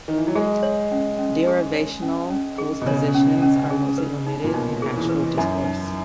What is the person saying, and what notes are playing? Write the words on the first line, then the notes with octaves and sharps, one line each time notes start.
Derivational postpositions are mostly omitted in actual discourse.
D#3
E3
F#3
G#3 G#4
C#5
C#4
C#4
G#4
C#5
C#4
C#4
G#4
B2
C#3 C#5
C#4
C#4
G#4
B4
D#4
A#2
B2 D#4
G#4
E2
B4
F#2 D#4
D#4